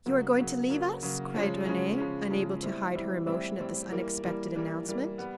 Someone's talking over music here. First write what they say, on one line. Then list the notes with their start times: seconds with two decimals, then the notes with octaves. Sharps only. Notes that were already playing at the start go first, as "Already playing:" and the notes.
"You are going to leave us?" cried Renee, unable to hide her emotion at this unexpected announcement.
0.06 C#3 F#3 A#3
0.38 C#3 F#3 A#3
0.70 C#3 F#3 A#3
1.03 C#3 F#3 A#3
1.35 C#3 F3 G#3 C#4
1.66 C#3 F3 G#3 C#4
1.98 C#3 F3 G#3 C#4
2.30 C#3 F3 G#3 C#4
2.62 A2 E3 G3 C4 E4
2.95 A2 E3 G3 C4 E4
3.27 A2 E3 G3 C4 E4
3.58 A2 E3 G3 C4 E4
3.90 E3 G3 A#3
4.23 E3 G3 A#3
4.55 E3 G3 A#3
4.86 E3 G3 A#3
5.18 G3 B3